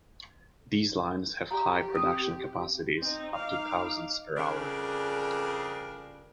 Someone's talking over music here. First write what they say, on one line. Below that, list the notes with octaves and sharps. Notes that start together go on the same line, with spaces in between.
These lines have high production capacities, up to thousands per hour.
G4 A#5
C4 D#6
C4 D#4
D#4 F5 D6
F2 C#3 G3 D4 G#4 A#4